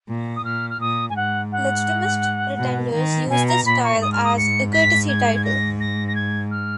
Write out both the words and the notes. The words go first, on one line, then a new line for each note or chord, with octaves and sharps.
Legitimist pretenders use this style as a courtesy title.
A#2
D#6
A#2 F6
F6
A#2 D#6
G#5
G#2 F#5
F#5
B2
D#3
B2 G#5
A#5
A#2 B5
C#6
G#2 D#6
F6
D#6
C#7
B6
G#6
G#6
A#6
A#6
A#6
G#6
F6